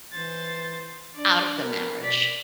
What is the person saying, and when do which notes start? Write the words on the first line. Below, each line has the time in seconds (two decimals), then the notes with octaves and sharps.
out of the marriage?
0.13 E3 C5 A6
1.15 D4 D5
1.62 B3 A#4
2.01 B2 D5 B6